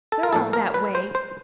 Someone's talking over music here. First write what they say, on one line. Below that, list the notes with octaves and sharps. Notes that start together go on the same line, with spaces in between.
They're all that way.
A4
A#4
A2 F3 A#3 A4
A#4
B4
C5
C5